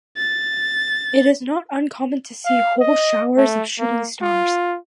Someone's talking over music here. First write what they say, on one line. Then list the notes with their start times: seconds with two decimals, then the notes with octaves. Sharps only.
It is not uncommon to see whole showers of shooting stars.
0.17 A6
2.45 F5
2.80 D#5
3.37 A3
3.79 A#3
4.22 F4